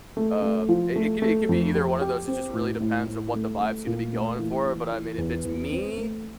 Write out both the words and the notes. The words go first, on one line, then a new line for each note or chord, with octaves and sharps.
Um, it i it could it could be either one of those, it just really depends on what the vibe's gonna be going for but, I mean, if it's me,
A3
A3
F3
A3
A3
F2
G4
G4
C4
A2
A2
A2
A3
A3
A#2
A3
E3
E3
E3
E2
E2
C4
A3